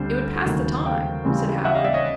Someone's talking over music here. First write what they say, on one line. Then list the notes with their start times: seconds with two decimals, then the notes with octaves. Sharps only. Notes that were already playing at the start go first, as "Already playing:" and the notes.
"It would pass the time," said Howard.
Already playing: D2 D3 G3 C4 C5
0.46 D#2 C#3 F#3
0.86 F5 G5
1.25 C#3 E3 G3 C4
1.65 E5 F#5
1.74 D#5 F5
1.84 D5 E5
1.94 C#5 D#5